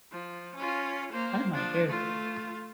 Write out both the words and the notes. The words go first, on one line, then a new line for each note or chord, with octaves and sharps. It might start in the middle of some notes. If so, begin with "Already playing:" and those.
Time I did.
F3
C#4 F4
A#3 C5
F3 D4
A3 F4